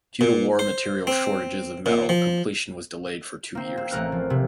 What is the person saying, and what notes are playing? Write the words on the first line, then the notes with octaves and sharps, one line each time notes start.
Due to war material shortages of metal, completion was delayed for two years.
A#2
C5
C4
A#2
F3
A#3 C4
C4
A1 A3 A#4 F#6
F3
C3